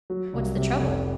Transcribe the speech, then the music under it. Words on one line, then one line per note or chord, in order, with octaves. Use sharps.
'What's the trouble?
F#3
C2
C3
F1